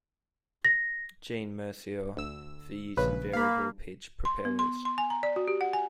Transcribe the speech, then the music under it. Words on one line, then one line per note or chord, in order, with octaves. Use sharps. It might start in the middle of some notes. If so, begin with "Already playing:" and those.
Jean Mercier, for use in variable-pitch propellers.
A#6
D2 E6
A#1 C#3 B4
A#3 F5 B5
C6
B3
C6
C6
G#5
A#5
D5
F#4
G4
F#5
G#5